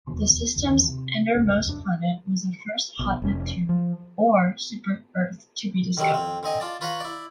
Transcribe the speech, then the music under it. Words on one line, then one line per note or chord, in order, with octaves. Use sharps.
The system's innermost planet was the first 'hot Neptune' or 'super-Earth' to be discovered.
E1 D#2 B2 D3
F#1 D2 G2
E2 D#3
C3
F#1 C2 G#2 C#4
F1 F#2 A2 D4
A#1 B2
F1 C#4
F3
D3 D#3 F#3 G3 C4
F2 C4
D3 C4 D#5 G#5
F4 D5 A5
F4 B4 C#5 F5 F#5 A#5
E4 D5